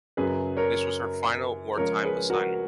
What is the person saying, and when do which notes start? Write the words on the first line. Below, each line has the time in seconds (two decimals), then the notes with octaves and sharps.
This was her final wartime assignment.
0.17 F#2 C#3 F#3 G#4 B4
0.57 A#4 C#5
1.77 C#2 C#3 F3 A#4 C#5
2.04 G#4 B4
2.30 F#4 A#4